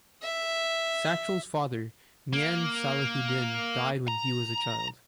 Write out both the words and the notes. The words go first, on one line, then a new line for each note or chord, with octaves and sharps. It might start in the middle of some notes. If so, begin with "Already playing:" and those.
Sachal's father Mian Salahuddin died when he was a child.
E5
A#3
A#5